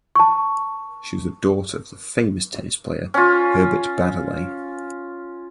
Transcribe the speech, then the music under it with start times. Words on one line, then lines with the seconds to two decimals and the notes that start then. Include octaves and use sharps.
She was the daughter of the famous tennis player Herbert Baddeley.
0.15 A5 C#6
3.14 C#4 F4